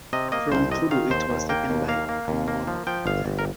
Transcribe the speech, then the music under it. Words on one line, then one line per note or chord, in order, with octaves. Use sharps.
From Puru it was taken by Amurtarya.
C3 D#5
A#3 D#5
C2 C5
C3 D#5
D#3 F5
D#2 C5
D#2
A#3 G5
D#2
A#3 F5
A#3
D#2
A#3
F3
F3 G5
G1 F5
G1
A#4